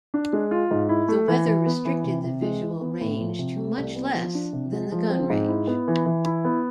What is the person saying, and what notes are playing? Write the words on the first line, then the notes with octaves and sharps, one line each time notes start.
The weather restricted the visual range to much less than the gun range.
D4
G#3
F4
G#2
E4
A3
E3
E3
B3
E3
C3
C3
G#3
E3
B3
A2
F3
C3
A3
C2
B3
F3
D4
C3
G#3
F3
C4
G#2
E4
B3
E3
E3
E4
B3